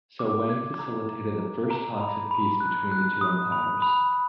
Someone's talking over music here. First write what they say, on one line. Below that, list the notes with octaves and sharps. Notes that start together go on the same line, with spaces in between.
So, Wang facilitated the first talks of peace between the two empires.
D6
G#6
A#5
A#5
A#5
A#5
B5
B5
F#6
F#6
D#6
B5
B5
B5